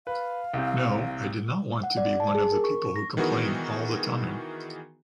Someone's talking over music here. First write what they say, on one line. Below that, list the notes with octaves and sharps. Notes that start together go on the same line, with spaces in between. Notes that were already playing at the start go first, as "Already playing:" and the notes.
No, I did not want to be one of the people who complain all the time.
B4 F5
C2 C4
F#5
D5
A5
G#4
A#4
C#6
C#6
A#6
D#3 E3 B3 F#4 G#4 A#4